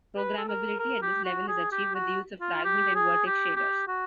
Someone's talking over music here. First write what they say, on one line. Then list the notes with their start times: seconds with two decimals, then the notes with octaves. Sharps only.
Programmability at this level is achieved with the use of fragment and vertex shaders.
0.17 B4
0.37 A4
0.49 A#4
0.80 A#4
1.02 G4
1.25 F#4
1.48 G#4
1.72 G4
1.95 F#4
2.41 F4
2.65 G4
2.95 G#4
3.26 G4
3.56 G4
3.88 F#4